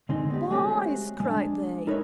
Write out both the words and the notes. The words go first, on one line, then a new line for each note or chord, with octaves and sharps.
"Boys!" cried they.
D3 G#3 C4 D#4
B3 G4
G#3 A3 C4 C#4 F#4 G4
G#3 D4
D#4 A#4 B4 C#5 D#5 E5